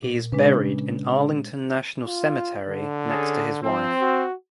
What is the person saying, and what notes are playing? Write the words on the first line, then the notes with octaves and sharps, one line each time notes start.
He is buried in Arlington National Cemetery next to his wife.
A#2
C#3 G#3 D4 B4
F4
D3
C#4 G#4 A4
F3 C4
F#4